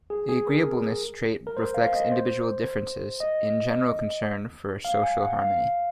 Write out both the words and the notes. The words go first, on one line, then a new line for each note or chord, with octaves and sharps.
The agreeableness trait reflects individual differences in general concern for social harmony.
G#4
G#4
A#4
A#4
C5
F5
D#5
C5
D#5
F5
G#5
F#5
F5